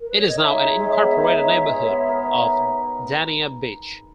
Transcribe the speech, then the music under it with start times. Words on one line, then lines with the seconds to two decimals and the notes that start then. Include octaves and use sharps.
It is now an incorporated neighborhood of Dania Beach.
0.01 A#4
0.10 B4
0.19 C#5
0.28 D#5
0.37 D#4 C#5 E5
0.59 G#3
0.80 G#3
1.02 B3
1.24 D#4
1.44 G#3
1.66 G#3
1.87 B3
2.09 A#4